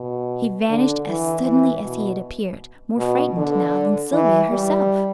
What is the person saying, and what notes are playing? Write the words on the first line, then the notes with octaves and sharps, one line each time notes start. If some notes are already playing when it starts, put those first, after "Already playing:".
He vanished as suddenly as he had appeared, more frightened now than Sylvia herself.
Already playing: B2
D3
E3
E3
B2
B2
D3
E3
G3